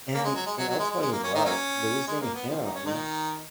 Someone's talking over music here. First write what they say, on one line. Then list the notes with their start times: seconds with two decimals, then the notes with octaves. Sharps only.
And and I'll tell you what, losing him
0.14 A#3
0.24 G#3
0.35 F#3
0.46 G#3
0.58 F#3
0.68 F#3
0.79 G#3
0.91 G#3
1.02 G#3
1.12 A#3
1.23 C#4
1.34 D#3 D#4
1.45 F#3 A#3 C#4
2.07 G#3
2.21 A#3
2.34 B3
2.48 F3
2.63 D#4
2.74 C#4
2.86 D#3 D#4